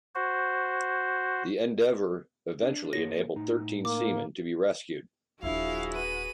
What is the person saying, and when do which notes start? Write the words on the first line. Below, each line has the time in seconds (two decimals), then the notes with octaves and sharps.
The endeavour eventually enabled thirteen seamen to be rescued.
0.15 F#4 C5
2.62 D4
2.93 A#3 G#4 C#5 A#6
3.36 A2 D#4
3.85 A#3 D6
5.43 D#1 F3 D4 E4 F#4 G#4 F5
5.94 B4 D#7